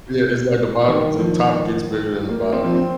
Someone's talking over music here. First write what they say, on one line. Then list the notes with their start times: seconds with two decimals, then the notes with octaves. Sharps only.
Yeah, it's like the bott the top gets bigger than the bottom,
0.88 D#3
1.19 F3
2.29 A#3
2.41 A#3
2.53 C4
2.64 F3
2.75 C4